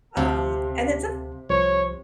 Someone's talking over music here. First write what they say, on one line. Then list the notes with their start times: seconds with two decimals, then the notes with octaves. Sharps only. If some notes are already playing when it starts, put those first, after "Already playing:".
um, and then somet
0.17 D2 C3 F5 A5
1.50 C2 F3 C5 C#5